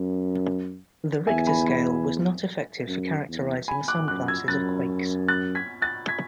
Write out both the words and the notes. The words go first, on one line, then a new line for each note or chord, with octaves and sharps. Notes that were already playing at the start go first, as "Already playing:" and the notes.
The Richter scale was not effective for characterizing some classes of quakes.
Already playing: F#2
E2 E5 G#5
G#5 B5
G#5 B5
F#2
E2
G#5 B5
D6 F#6
F#2 D6 F#6
E6 G#6
F#2 F#6 A6
F#6 A6
G#6 B6
F#6 A6
G#6 B6